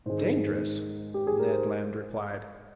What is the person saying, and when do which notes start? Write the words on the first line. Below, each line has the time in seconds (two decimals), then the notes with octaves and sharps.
"Dangerous?" Ned Land replied.
0.06 G#2 D#3 G#3 C5
1.14 G4
1.27 G#4
1.39 A#4
1.52 C5